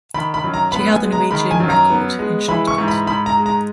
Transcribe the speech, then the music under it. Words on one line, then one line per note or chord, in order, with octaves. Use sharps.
She held the Norwegian record in shot put.
D#3 B5
B5
F#2
A#5
B3 B5
G#5
G#3
A#5
D#3 B5
G#5
F#2
A#5
B3
G#3
E3 B5
C#6
G#2
B5
G#2 B5
A#5
G#3
A#5